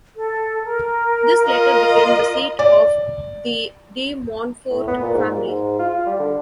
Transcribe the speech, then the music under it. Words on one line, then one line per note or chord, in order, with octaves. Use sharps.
This later became the seat of the De Montfort family.
A4
A#4
F4 D#5
D5
A2
B3
A#2
G#2
A#2
G#2
F4
F4
G3
D3